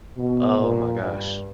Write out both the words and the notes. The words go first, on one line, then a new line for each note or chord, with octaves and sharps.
Oh my gosh.
B2
A#2
G2